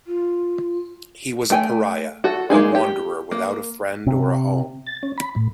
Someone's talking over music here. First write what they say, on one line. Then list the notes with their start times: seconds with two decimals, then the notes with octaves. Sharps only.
He was a pariah; a wanderer without a friend or a home.
0.07 F4
1.50 A3 G5 G#5
2.24 F#4 A4
2.50 G#3 A#3 D#4 G#4
2.75 G4
3.31 A#3
4.06 C3
4.87 A6
5.03 C#4
5.18 B5
5.36 A2